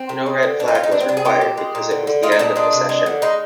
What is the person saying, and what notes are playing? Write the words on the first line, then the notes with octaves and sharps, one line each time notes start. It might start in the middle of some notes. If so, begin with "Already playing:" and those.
No red flag was required because it was the end of the session.
Already playing: C4
C3
G#3
D3
A#2 D4
D#4
A#2 F4
D#4
G3 D4
C4
C3 D4
G#4
G#3 G4
A#2
G#3
A#2
D3
D3
G#3 F4
D#4
A#2 D4
G#3 D4
C3
G#3
D3
G#3 D#4